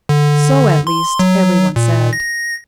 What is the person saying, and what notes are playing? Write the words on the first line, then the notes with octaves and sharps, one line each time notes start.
So, at least, every one said.
D3
C6
F#3
A#2
A#6